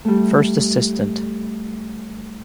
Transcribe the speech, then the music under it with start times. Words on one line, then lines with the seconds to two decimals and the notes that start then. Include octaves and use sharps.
First Assistant.
0.05 G3 A3